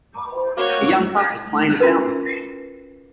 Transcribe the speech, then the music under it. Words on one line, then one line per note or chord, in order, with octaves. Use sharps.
A young couple play in a fountain.
A#3 F#4 C#5
C#4 F4 F#4 A#4 B4